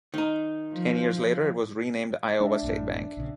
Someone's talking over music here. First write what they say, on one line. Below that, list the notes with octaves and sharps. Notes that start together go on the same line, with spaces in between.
Ten years later it was renamed Iowa State Bank.
D#3 D#4
F3
G#3 D4 E5
A1 F#2 A2
A#1 C#3